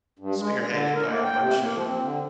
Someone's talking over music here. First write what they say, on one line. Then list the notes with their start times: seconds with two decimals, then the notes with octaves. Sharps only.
spearheaded by a bunch of
0.19 G2
0.39 G#3
0.55 A#2
0.70 D3
0.95 A#4
1.08 A#3
1.24 G5
1.40 C3
1.61 A#3
1.74 F3
1.87 C4
2.03 D3